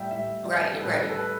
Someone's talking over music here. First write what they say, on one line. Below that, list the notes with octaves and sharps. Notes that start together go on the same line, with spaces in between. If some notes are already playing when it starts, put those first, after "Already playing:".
Right, right.
Already playing: A2 G3 E5 G5
A2 G3 E5
D5
A4
A2 G3 B4
A4
B4